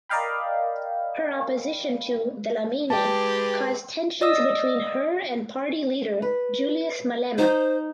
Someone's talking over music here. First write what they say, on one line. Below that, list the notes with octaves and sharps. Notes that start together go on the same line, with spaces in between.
Her opposition to Dlamini caused tensions between her and party leader Julius Malema.
A#4 D5 D#5 F5 G5 B5
G#3 G4 G#4 B4 G5 A5
D5 D#5 D#6 E6
B4
D#4 C5